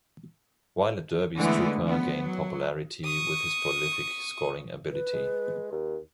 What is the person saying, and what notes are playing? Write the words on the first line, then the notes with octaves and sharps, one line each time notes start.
While at Derby Strupar gained popularity with his prolific scoring ability.
D3 E3 G#3 A3 B3
F3 B3
F#3
C#6 D#6
B4
G#3
D#2